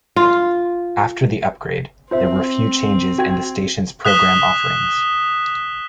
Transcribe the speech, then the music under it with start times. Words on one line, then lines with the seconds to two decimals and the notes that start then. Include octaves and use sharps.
After the upgrade, there were few changes in the station's program offerings.
0.16 F4
2.11 C4 F4 C5 E5
3.18 F#4 G5 G#6
4.05 D#6 F#6 B6 E7 G7